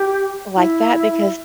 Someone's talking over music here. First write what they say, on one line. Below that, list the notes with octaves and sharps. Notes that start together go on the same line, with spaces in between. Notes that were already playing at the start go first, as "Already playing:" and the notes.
like that? Because
Already playing: G4
E4